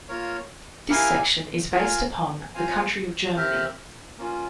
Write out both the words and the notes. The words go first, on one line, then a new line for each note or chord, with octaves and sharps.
This section is based upon the country of Germany.
A#3 F4 A#4 C#5
E4 G4 A#4 F5 G#5
F4 A#4 F5 G#5
C4 F4 C5 F5 G#5
C4 G4 A#4 E5
A#3 C#4 F4